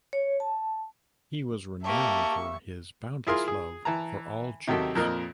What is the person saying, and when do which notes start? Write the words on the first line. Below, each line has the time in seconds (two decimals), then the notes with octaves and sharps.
He was renowned for his boundless love for all Jews.
0.13 C#5
0.40 A5
1.85 A#3 G4 E5 A5 C#6
3.27 E4 F4 G#4 A#4 F5 C6
3.48 G#4
3.85 E3 A5 A#5
4.68 C3 D#3 F#3 G4 A4
4.95 F2 A#2 A#4 D#5